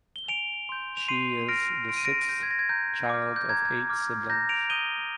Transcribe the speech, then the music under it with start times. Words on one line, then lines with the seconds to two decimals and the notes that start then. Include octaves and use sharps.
She is the sixth child of eight siblings.
0.16 G7
0.28 G#5 D7 F7
0.69 C6 G6
0.97 F7
1.08 C6 C7 D#7
1.48 F6 A#6 D7
1.89 C6 D7
1.97 D#7
2.05 A#6 D7
2.29 G6
2.43 G#6
2.51 A#6
2.59 G#6
2.69 A#5 G6
3.09 D6 F6
3.36 G6
3.49 A#5 G#6
3.89 D6 F6
4.29 A#5 G6 A#6
4.49 D7 F7
4.70 D#6 G6 D#7 G7